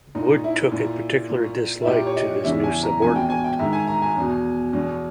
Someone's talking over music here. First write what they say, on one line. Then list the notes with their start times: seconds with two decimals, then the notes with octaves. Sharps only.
Wood took a particular dislike to his new subordinate.
0.15 A#2 D#4
0.44 E4
0.72 A#2
1.30 A#2
1.82 E4
1.87 A#2 G4
2.06 C#5
2.16 D#5
2.44 E2 C#3 E3 E5
2.64 G#5
2.83 A#5
3.02 E2 B2 G#5
3.16 G5
3.30 G#5
3.44 G5
3.59 G#2 D#3 E5
3.73 G#5
3.88 A#5
4.02 G#5
4.17 E2 B2
4.73 E2 B2